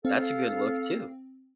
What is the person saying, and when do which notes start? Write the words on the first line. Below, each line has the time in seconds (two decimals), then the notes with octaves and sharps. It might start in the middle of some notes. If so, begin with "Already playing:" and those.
that's a good look too.
0.05 C4 A4 F5